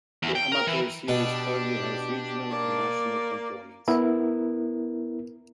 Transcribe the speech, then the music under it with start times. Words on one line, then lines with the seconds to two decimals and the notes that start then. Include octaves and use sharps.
The amateur series currently has regional and national components.
0.23 E2
0.35 G5
0.52 A#4
0.67 E3
1.08 B2 D4 G4
2.51 A#3 D5
3.88 B3 E4 A#4